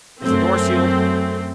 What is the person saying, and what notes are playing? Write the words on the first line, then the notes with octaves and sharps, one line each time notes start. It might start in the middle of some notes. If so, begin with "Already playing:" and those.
Is the door sealed?
F#2 A3 C4